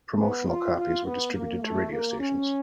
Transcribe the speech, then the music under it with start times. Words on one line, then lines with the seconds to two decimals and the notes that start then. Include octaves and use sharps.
Promotional copies were distributed to radio stations.
0.19 B3
0.47 F4
0.76 F4
1.05 B3
1.34 A#3
1.62 A3
1.91 A#3
2.19 C#4